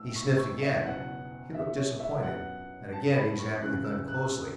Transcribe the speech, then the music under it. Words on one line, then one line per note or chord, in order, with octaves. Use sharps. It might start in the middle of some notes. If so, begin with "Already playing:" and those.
He sniffed again. He looked disappointed, and again examined the gun closely.
Already playing: A1 A2 E6
C#6
C#6
E5
F#1 E2 B2 F#5
E5
C#5
E5
F#2 F#3 B3 F#5
A5
B5
C#6
E2 C#3 E3 F#6
E6
F#6